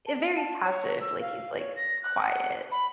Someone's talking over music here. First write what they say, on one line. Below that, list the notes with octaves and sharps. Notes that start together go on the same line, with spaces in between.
eh, very passive, like, he's, like, quiet.
A5
A5
C#5
E6
F5
C#5
A#6
F#6
F#5
B5